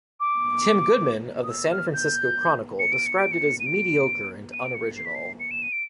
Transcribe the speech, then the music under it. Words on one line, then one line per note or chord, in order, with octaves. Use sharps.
Tim Goodman of the "San Francisco Chronicle" described it as "mediocre" and unoriginal.
D6
D#6
E6
F6
G6
C#7
D7
C#7
D7
C#7
D#7
D7
D#7
D7
C#7
C7
B6
C7
C#7
E7
D#7
D7